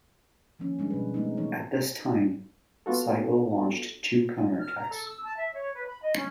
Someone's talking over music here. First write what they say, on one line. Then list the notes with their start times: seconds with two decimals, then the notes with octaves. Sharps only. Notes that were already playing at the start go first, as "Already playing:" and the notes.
At this time, Sigel launched two counterattacks.
0.59 D#3 F3 A#3 C#4
0.79 D3 G3 G#3 D4
0.90 B2 B4
1.14 G#3 A3 B3 C4 D#4
1.37 E3 C4 D#4 E4 C#5
2.86 B3 F4 F#4 A4
4.60 F6
4.75 A#5
4.90 A4
5.05 E6
5.23 A5
5.36 E5
5.54 C#5
5.73 B4
5.86 B5
6.02 D#5
6.16 C#4